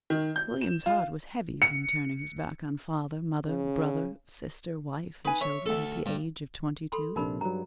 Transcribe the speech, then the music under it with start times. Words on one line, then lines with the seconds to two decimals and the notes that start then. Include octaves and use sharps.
William's heart was heavy when turning his back on father, mother, brother, sister, wife and children, at the age of twenty-two.
0.10 D#3
0.36 G6
0.61 E7
0.86 F4
1.62 C#7
3.46 C#3
5.25 D#4 B4 G#5
5.41 C#5 E5
5.66 D2 A4
6.06 G2
6.92 A4 B5 C6
7.16 A#1 C3 D4 D#4 A#4 B5
7.41 G2 F#3 A#5